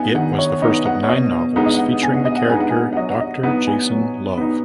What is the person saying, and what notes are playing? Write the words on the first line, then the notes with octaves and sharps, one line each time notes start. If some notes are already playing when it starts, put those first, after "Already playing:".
It was the first of nine novels featuring the character Doctor Jason Love.
Already playing: B3 D#4 F#5 G#5
D#3 F#5
C#5
B3 D#4 D#5
F#5
C#5
B2 D#5
G#3 B3 D#4 F#5
D#5
F#5
B2 G#5
F#5
D#5
F#5
G#3 B3 D#4 G#5
F#5
G#5
F#5
F#3 D#5
F#5
D#5
B3 D#4 F#5
G#5
F#3
B3 D#4